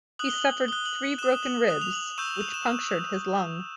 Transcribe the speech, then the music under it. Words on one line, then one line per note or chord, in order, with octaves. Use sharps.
He suffered three broken ribs, which punctured his lung.
D#6 F#6 F#7
G7
F#7
D#6 F#6 G7
F#7
D#6 F#6 E7
F#7
D#6 F#6
F7
F#7
C#6 E6 G6 E7
F7
E7